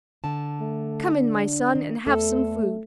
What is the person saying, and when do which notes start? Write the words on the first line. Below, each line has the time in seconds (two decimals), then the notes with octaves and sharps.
'Come in, my son, and have some food.
0.24 D3 A5
0.60 A3
1.14 D4
1.75 D#3
2.07 E2 A3 A4 A5